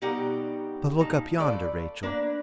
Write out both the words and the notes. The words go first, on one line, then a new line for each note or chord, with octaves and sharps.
But look up yonder, Rachael!
B2 G3 D#4 G4 A#4 F#5
A#2 D#4 A5
A3 F4 A4 B4 D5
A#3 D4 B4